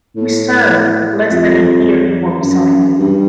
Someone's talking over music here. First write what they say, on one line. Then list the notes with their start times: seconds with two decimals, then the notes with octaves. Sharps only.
He served less than a year before resigning.
0.16 A2
1.30 F2
2.42 F#2
2.99 G2